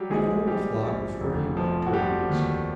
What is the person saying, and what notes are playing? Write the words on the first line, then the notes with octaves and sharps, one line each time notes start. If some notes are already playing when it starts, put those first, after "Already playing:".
We owned a flock of thirty-one turkeys.
Already playing: F#3 G3 G4
A#1 G#3 G#4
A#1 G3 G4
A#1
F1
F3
F#4
F3 G3 G4
D#2